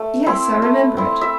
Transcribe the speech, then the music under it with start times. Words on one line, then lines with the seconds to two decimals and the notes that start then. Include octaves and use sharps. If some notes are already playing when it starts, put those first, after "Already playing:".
"Yes; I remember it."
Already playing: A3
0.26 C4 E4
0.62 A3
0.97 C4 E4
1.21 E5